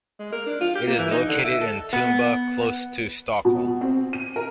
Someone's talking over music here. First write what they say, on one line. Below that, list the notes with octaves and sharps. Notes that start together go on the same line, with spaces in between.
It is located in Tumba, close to Stockholm.
G#3
A#4
D4
F4
G4
A#3
E3
D#4
D3
E5
A4
B3
B2
C4
D#7
A#4